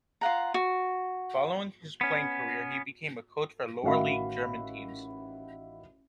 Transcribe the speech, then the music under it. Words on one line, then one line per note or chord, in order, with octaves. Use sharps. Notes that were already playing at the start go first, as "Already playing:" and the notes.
Following his playing career, he became a coach for lower-league German teams.
F4 F5 F#5 A#5
F#4
B3 C#4
A1 D#3 F#4 E5 F5 B5